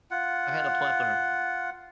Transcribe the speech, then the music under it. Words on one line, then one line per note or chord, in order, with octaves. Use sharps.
I had a plethora.
F4 F#5